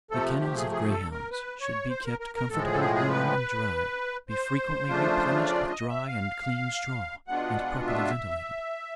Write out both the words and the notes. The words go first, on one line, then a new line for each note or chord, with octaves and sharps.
The kennels of greyhounds should be kept comfortably warm and dry, be frequently replenished with dry and clean straw, and properly ventilated.
C3 F3 A3 A4
G4
G#4
G#4
A4
A#4
B4
C#5
C5
A#4
A#4
A#4
A2 F3 G#3 A4
G#4
A4
G#4
G#4
B4
C5
C#3 F3 A3 D4 F4
D5
D#5
E5
F5
B2 G#3 B3 D4 F4 F#5
E5